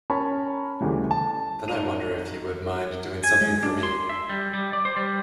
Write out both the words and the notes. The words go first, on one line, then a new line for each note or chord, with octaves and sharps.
Then I wonder if you would mind doing something for me.
C#4 A#4 C#5 A5 B5
D2 C#3 E3 G3
A5
D#4 D#7 F7
G#5
G#3
D4
C6
E5
G3
G3
D5
C5
G3